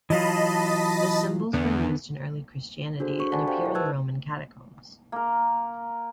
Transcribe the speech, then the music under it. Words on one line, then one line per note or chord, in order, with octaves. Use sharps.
The symbols were used in early Christianity and appear in the Roman catacombs.
E3 F#3 F4 D#5 A5 B5
E2 D3 B3
D4 F#4 G#4 A4 C5
D4 F#4 C#6
A4 D5 F#5 G#5 A5 B5
G4 C5 F5 G5 C#6
E4 A#4 D#5
B4 C5 A5 E6 F#6 G#6
A#3 A#4